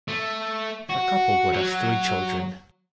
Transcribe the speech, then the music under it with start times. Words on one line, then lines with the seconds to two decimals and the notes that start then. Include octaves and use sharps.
The couple would have three children.
0.08 A3
0.90 F#4
1.53 F#3